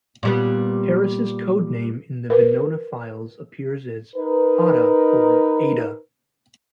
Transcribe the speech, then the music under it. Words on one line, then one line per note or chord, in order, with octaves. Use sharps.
Harris's code name in the Venona files appears as "Ada" or "Aida".
A#2 G3 B3
A#4 B4
D#4 A#4 B4